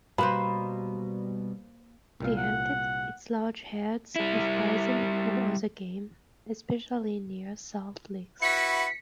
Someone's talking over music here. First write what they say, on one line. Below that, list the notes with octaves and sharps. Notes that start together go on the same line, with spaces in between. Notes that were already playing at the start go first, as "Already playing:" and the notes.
They hunted its large herds of bison and other game, especially near salt licks.
B2 G3 A#3 B4 C5 B5
C2 A#2 F5
F#5
G3 E4
E4 F#4 B4 B6 C#7